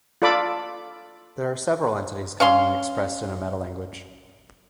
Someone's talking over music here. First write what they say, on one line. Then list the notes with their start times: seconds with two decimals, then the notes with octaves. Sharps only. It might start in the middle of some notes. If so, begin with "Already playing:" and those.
There are several entities commonly expressed in a metalanguage.
0.22 F4 A4 D5 B5 D6
2.40 C#4 F5 C6